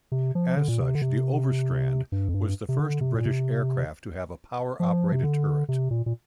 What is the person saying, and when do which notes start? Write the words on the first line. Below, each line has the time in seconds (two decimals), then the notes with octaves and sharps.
As such the Overstrand was the first British aircraft to have a power-operated turret.
0.12 C3
0.35 F3
0.57 D3
0.68 A#2
0.80 C3
0.95 D3
1.02 C3
2.12 G2
2.29 F2
2.34 G2
2.69 C3
2.79 D3
3.01 C3
3.14 A#2
3.26 C3
4.80 F3
5.12 C3
5.24 D3
5.69 C3
5.91 A#2
6.06 A#2